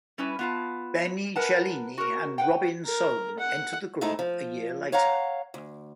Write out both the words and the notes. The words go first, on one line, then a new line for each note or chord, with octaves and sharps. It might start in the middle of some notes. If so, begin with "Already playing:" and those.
Benni Cellini and Robin Sohn entered the group a year later.
G3 C#4 E4 B4
B3 F4 A5
A#4 B4 F#5 G#5 A5
F#4 A#4
B4 F#5 G5
A#4
F#5
G#2 G#3 A3 D#4 E4
F3
C#5 F5 F#5 A#5
D2